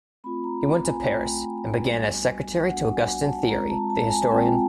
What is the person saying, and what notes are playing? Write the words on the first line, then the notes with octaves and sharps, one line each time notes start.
He went to Paris and began as secretary to Augustin Thierry, the historian.
A3 C4 F4 B5
A#5
G#5
A3 C4 F4 G5
G3 B3 D4 F#4 G#5
G3 B3 D4 F#4 F#5
G#5
A5
G#3 C4 F4 A#5
A5
A5
G#5
G#3 C4 F4 G5